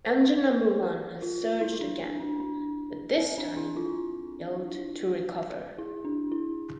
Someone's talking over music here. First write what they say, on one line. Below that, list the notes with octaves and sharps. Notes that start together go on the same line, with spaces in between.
Engine number one surged again, but this time failed to recover.
C5
A#4
F4
E4
D4
D4
D4
D4
C4
D4
E4
F4
E4
D4
E4